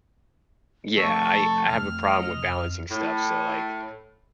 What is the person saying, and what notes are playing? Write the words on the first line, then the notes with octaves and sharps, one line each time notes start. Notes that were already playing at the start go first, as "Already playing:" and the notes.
Yeah, I I have a problem with balancing stuff, so, like,
F3 A3 A4 C#6
F2 C3 A3 F6
D#5
F2
A2